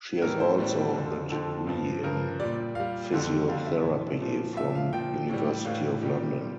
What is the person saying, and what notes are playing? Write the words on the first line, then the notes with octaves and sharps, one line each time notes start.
She has also the degree in Physiotherapy from University of London.
A2 E3 G3 A#4
C5
A2 E3 G3
F2 D3 F3
F2 D3 F3 A4
G2 F3
G2 F3 A#4
A#2 G3 D5
A#2 G3 F5
F2 D3 G3
F2 D3 G3 F5
E5
A#2 F3
A#2 F3
A#2 F3 E5
F5
A#2 F3 G5
A2 E3 G3
A2 E3 G3 F5
A#2 G3 G4
A#2 G3